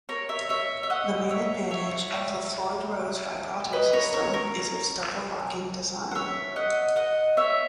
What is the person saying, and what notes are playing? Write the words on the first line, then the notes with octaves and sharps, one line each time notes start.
The main advantage of the Floyd Rose vibrato system is its double-locking design.
A#4 C#5
C#5 E5
C#5 E5
E5
D#5 F#5
C#5 E5
C#5 E5
B4 D#5
A#4 C#5
A#4 C#5
A#4 C#5
F#5
C#5 E5
D#5 F#5
D#5 F#5
C#5 E5